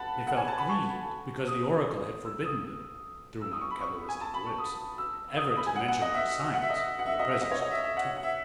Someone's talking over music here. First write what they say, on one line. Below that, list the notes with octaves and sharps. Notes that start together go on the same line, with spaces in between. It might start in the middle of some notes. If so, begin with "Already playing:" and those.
They felt grieved because the oracle had forbidden them, through my cabalistic lips, ever to mention my science in the presence of Tartufe.
Already playing: F#5 A5 B5
F#5
G#5
A5
B5
C#6
D#6
E6
D#6
E6
D#6
C#6
B5
C#6
G#5
A5
B5
C#6
D#6
E6
D#6
D#6
B5
G#5
F#5
F#5
D#5
E5
F#5
E5
D#5
E5
F#5
E5
D#5
E5
D#5
C#5
D#5
E5
E5
F#5
F#5
E5